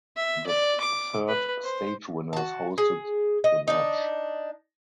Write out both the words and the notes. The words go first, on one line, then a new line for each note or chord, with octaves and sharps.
The third stage winners hosted the match.
E5
D5
D6
B4
C5
F#4 A5
G#4
D#5
D4 D#4